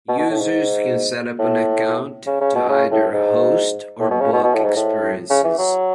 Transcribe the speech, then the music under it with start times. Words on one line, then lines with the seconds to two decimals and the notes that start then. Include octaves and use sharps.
Users can set up an account to either host or book experiences.
0.09 B2
0.19 B2
0.30 A2
0.41 G#2
1.39 A2
2.26 C#3
2.41 C#3
2.55 B2
2.69 C#3
2.92 A2
3.13 G#2
3.99 A2
4.11 B2
4.21 C#3
4.33 B2
4.44 B2
4.54 A2
4.64 G#2
4.76 A2
5.30 C#3
5.44 E3
5.58 F#3